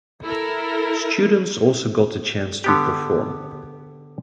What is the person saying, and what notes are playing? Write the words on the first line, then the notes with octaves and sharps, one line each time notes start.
Students also got the chance to perform.
E4 A4 A#4
D3 B3 G4